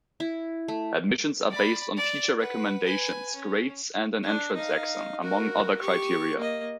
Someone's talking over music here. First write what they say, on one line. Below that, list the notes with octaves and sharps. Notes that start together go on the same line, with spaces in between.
Admissions are based on teacher recommendations, grades and an entrance exam, among other criteria.
E4
A3
D5 B5
D5
B4 F#5
B4 G#5
C#4
D4
D#4 F5
F#4 A#4
G4 C#6
A#3 D#5